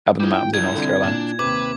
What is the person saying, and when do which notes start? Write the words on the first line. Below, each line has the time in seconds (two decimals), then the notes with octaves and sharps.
up in the mountains in North Carolina.
0.20 G3 G#3 E4 F4 G6
0.34 G5
0.54 C2 G#6
0.74 D3 C4
1.04 A#2 D4 E7
1.39 D#2 C3 B4 D6